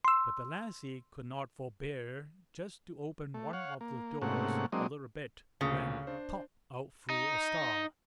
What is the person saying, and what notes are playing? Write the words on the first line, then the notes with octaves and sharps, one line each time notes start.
But the lassie could not forbear just to open one of the doors a little bit, when--POP! out flew a Star.
C6 E6
A3
C#5 F5 F#5
A#3
G#2 C3 A3 A#3 C#4 F#5
F#3 G#3 A#3 C4 D4 D#5
D2 A#2 C#3
D4 C5
D#4